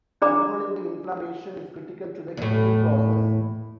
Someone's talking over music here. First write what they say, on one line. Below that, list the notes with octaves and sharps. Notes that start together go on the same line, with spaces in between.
Controlling the inflammation is critical to the healing process.
D4 G#4 D5 A#5 B5 D6
E2 A2